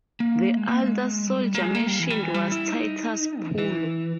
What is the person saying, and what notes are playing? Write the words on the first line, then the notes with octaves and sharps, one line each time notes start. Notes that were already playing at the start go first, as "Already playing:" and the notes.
The other soldier mentioned was Titus Pullo.
A#3
G#3
A#3
G#3
G3
A#3
G#3
A#3
G3
E3
G3
E3
G3
E4
D#4
E3
E3